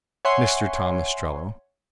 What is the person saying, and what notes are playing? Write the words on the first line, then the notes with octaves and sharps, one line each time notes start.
"Mr. Tom Ostrello."
C#5 E5 F#5 G#5 C6